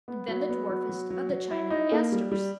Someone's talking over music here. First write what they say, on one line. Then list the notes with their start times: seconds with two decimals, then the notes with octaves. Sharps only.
And then the dwarfest of the China Asters.
0.08 B3
0.28 F#3
0.49 B3
0.69 F#3
0.89 F#3
1.10 F#3
1.30 F#3
1.51 E4
1.70 D#4
1.92 A#3
2.12 G3
2.32 G3